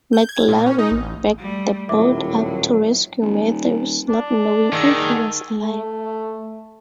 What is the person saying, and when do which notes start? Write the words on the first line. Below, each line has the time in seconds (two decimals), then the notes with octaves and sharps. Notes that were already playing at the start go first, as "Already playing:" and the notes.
MacLaren backed the boat up to rescue Matthews not knowing if he was alive.
0.13 G6
0.29 G#6
0.48 A#2
0.66 C#4
0.78 D#4
0.91 A1
1.38 G3 A3
1.89 D#1 A2 F#3 E5 D6
3.21 D#1
4.09 D4
4.73 D#3 G#4 F#5 A5 E6 D#7
5.62 A3